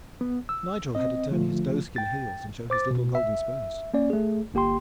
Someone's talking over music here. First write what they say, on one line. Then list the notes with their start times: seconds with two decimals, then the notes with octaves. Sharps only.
Nigel had to turn his doeskin heels and show his little golden spurs.
0.21 B3
0.49 E6
0.95 C4 D#5
1.30 D3 F3 A3 F4
1.96 G5 A6
2.70 C5 D6 A6
2.91 B2
3.15 E5
3.94 A#3 C#4 D5
4.10 A3 G#4
4.54 G1 A#3 G4 G5 C6